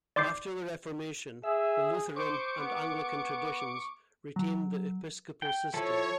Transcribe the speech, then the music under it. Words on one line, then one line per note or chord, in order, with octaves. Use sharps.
After the Reformation, the Lutheran and Anglican traditions retained the episcopal system.
D5 C6 D6 G6 C7
G#4 E5
C5 C#6 D6
B3
F#3
G5
F3 E4 A4 C#5